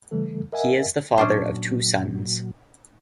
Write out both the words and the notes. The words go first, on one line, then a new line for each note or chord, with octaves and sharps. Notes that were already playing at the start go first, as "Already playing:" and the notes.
He is the father of two sons.
C#3 E3 G3 A3 A4
A#4 D#5 E5 F#5 G#5
A#2 F#3 C#4 D4 C5